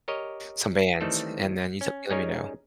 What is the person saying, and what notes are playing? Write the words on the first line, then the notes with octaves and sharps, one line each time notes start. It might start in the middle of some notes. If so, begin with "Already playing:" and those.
some bands, and then you just let me know.
G4 A#4 C#5 D#5
D#3 E3 G3 A3 C4 A4
C#4
G3 C#4 D#4 G#4 A#4 C#5